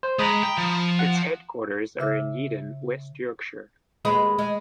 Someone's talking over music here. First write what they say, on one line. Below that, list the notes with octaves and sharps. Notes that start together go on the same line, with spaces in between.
Its headquarters are in Yeadon, West Yorkshire.
C5
G#3 A#5 B5 D#6
G5
F3
F#5
C#3 E5 D6 E6
D#2 G#3 B4
G#3